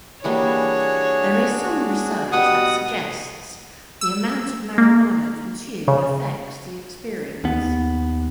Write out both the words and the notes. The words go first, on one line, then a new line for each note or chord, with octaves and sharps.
There is some research that suggests the amount of marijuana consumed affects the experience.
E3 G3 A#3 D4 F#4 G#4 C#5
B2 G3 F#5 C#6 D#6
E6
A#3
C#3
D#2 B3